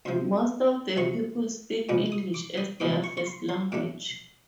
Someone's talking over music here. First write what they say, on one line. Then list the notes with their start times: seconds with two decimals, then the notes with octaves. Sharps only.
Most of the people speak English as their first language.
0.05 D2 C3 F3 C6
0.97 D2 C3 F3 C#6
1.89 C2 A#2 F3 G#3 B3 D6
2.12 D#6
2.34 D6
2.57 D#6
2.80 C2 A#2 F3 G#3 B3 D6
3.04 C#6
3.17 C#6
3.26 C6
3.49 C6
3.72 A2 F#3 A3 D4 D6